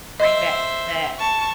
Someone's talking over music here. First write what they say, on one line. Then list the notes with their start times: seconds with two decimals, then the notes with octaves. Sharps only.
bring back that
0.20 C5 D#5 E5
1.19 A5 C#6